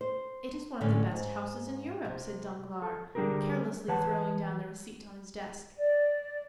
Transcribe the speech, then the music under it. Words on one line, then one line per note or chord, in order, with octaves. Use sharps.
"It is one of the best houses in Europe," said Danglars, carelessly throwing down the receipt on his desk.
C5
A2 D3 E3 A3 C#4
G#2
C3
A4
D3 G3 D4 G4 G#4 A#4
E3 B4 C#5 F#5 A5
D5